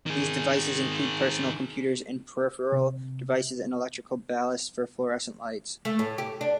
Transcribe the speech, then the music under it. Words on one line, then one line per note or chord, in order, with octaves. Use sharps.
These devices include personal computers and peripheral devices, and electrical ballasts for fluorescent lights.
D#3 G#4
C3
A3
A2
G4
D4